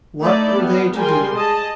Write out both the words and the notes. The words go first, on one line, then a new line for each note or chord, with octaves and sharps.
What were they to do?
A3 D#4 E4 A4 D5
G3 B3
G3 G#3 A#4 G5 G#5 C6
G#4 D#5 A5